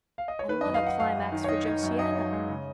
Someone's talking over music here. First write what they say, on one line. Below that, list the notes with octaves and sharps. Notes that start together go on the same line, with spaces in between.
And what a climax for Josiana!
F5
D#5
C#5
D#3 B4
D#5
F#2
F5
D#4 F#5
F#2 F5
F#2
D#3
C#5
D#4 D#5
D#4
F#2
F#2 D#5
D#4
G#3
C#3